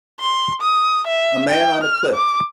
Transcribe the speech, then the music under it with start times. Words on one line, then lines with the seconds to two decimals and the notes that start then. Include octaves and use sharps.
A man on a cliff.
0.20 C6
0.62 D#6
1.07 E5
1.50 G5
1.84 F6
2.14 D6